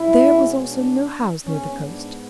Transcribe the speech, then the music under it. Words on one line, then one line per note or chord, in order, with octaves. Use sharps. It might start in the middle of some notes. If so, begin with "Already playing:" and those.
There was also no house near the coast.
Already playing: B2 G#3 C#4 E4
D4
G#2 G#3 B3 C#4
D4